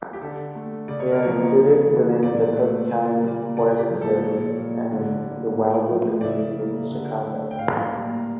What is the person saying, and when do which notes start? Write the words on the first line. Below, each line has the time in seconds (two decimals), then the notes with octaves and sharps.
They are included within the Cook County Forest Preserve and Wildwood community of Chicago.
0.13 G4
0.21 D3 A4
0.55 A3
0.88 C#3 D5
1.00 C#5
1.12 A#4
1.22 F3 A#3 C#5
1.56 C#3
1.89 E3 A#3
2.23 A#2 D5
2.56 A3
2.90 C#3
3.23 G3 A#3
3.57 C#3 D5
3.79 G4
3.90 F3 A#3
4.01 A4
4.23 A#2 C#5
4.57 G3 A#3
4.91 D3
5.24 G3 A#3
5.57 A2
5.92 F3 A3
6.21 D5
6.25 C#3 E5
6.58 G3 A#3
6.91 D3
7.25 A3
7.51 G5
7.59 A2 F5
7.92 G3 A#3